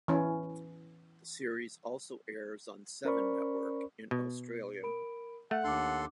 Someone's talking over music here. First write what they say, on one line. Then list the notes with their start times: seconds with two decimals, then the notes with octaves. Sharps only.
The series also airs on Seven Network in Australia.
0.08 E3 C#4
3.05 C#4 A#4 C5 D5 B5 C#6
4.11 B2
4.83 A#4 B5 D7
5.51 A3 F#5
5.64 D#2 D4 A4 C6 D6